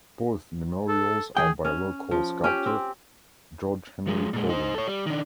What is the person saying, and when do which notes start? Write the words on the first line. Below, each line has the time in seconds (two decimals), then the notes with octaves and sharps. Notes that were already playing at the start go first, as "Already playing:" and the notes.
Both memorials are by local sculptor George Henry Paulin.
0.88 A4
1.37 E3 F3 G#4 G5
1.65 C#4
2.11 F3
2.44 C#4 G4
2.66 C4
4.07 F3 G#3
4.33 A#2 G#3
4.49 D#4 C5
4.75 A4 C#5
4.87 G3
5.06 D#3 D4